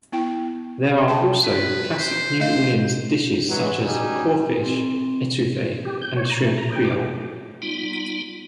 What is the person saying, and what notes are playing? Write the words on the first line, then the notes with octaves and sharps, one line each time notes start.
There are also classic New Orleans dishes such as crawfish etouffee and shrimp Creole.
B3 E4 G5
G5 A5
B4
C5
A3 C5 D#5 F5
E3 F#3 G#3
C#2 F#3 G3 D#4 G#4 G#5
C4
G4
G6
C#5
A#5
A3
A#5
G5
D6
G3 B3 D#4 F4